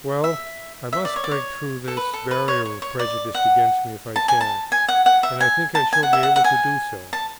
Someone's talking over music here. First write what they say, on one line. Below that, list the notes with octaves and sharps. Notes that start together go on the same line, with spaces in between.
Well, I must break through this barrier of prejudice against me if I can; and I think I shall be able to do so.
E5
E5
D5
C#5
D5
C#5
A4
B4
A4
B4
C#5
C#5
C#5
D5
F#5
A5
G#5
A5
G#5
F#5
F#5
E5
G#5
A5
G#5
F#5
E5
F#5
F#5
G#5
A5